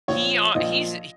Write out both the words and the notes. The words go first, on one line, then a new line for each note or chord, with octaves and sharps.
He, uh he's
A#1 A#2 F3 C#5
A#1 A#2 F3 D#5